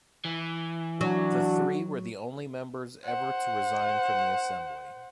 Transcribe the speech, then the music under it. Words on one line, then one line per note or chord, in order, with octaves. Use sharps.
The three were the only members ever to resign from the Assembly.
E3
F#3 D4 F#4
C5 F#5